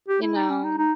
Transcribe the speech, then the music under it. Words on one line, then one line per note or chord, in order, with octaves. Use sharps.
you know
G4
E4
D#4
C#4
D#4
D#4